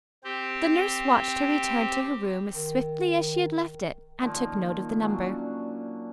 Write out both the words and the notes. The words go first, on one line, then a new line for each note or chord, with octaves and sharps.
The nurse watched her return to her room as swiftly as she had left it, and took note of the number.
C4 G4
D#3
A#2 D#3 F3
F#3 C#4 D4